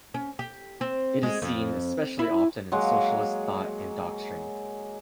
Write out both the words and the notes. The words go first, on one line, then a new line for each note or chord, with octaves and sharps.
It is seen especially often in socialist thought and doctrine.
C#4
G4
C4
G#3
F2
E4
F#3 G#3 A#3